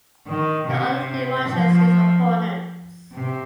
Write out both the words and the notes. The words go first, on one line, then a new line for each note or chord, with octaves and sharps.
The author demolishes his opponents.
D#3
C3
F3
C3